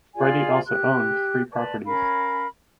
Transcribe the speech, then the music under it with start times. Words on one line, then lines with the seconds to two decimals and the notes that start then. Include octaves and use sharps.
Brady also owned three properties.
0.15 F4 G#4 D5 G#5
0.66 G4 F#6
1.52 B4 D5 A5
1.85 C#4 A#4 F5 B5